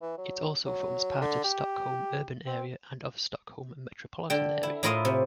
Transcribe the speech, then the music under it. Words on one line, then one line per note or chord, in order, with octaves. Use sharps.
It also forms part of Stockholm urban area and of Stockholm Metropolitan Area.
E3
F#3
F#3
D3
G4
C4
D3 G5
E4
A2 E4 F4 A#4 D#5 F5
C3